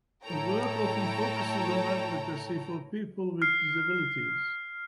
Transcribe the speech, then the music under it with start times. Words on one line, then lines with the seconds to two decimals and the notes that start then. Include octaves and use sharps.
Her work often focuses on advocacy for people with disabilities.
0.24 A2 E4 A4 C#5 G5 A#5
3.42 F6 C7